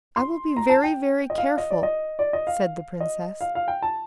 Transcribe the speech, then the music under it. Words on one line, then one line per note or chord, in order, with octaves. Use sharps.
"I will be very, very careful," said the princess.
C6
A#5
A5
G5
D#5
F5
D#5
D5
D#5
D5
D#5
F5
D#5
F5
F5
G5
A5